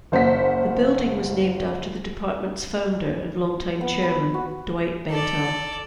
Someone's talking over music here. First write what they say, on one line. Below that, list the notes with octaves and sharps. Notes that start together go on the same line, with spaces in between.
The building was named after the department's founder and long time chairman, Dwight Bentel.
F#1 C5 F#5 B6
B3
B5
F#4
A4 D5